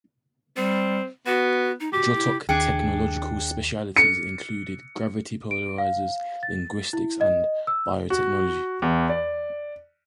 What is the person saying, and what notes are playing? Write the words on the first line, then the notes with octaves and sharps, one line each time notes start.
Jotok technological specialties included gravity polarizers, linguistics and biotechnology.
G3 C4
B3 F#4
D#4
F#4 G4
E4
D#2 D4 G#4 G5 C#7
C#7
D7
F5
A6
E4
D#5
E6
F#4
E2
D5